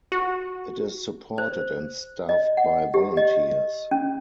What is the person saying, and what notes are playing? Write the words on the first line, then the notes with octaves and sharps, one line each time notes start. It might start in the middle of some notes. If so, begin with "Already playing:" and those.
It is supported and staffed by volunteers.
F#4
C5
D#5
F#5
G4
D#5
C#4